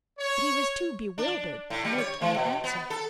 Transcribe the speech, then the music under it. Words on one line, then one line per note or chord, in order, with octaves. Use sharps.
But he was too bewildered to make any answer.
C#5
D4
A2
G3
C#5
E3
B2
B3
A4